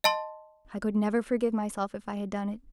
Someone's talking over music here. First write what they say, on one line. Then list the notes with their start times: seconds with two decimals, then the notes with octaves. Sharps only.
I could never forgive myself if I had done it.
0.04 D#5 A5 C6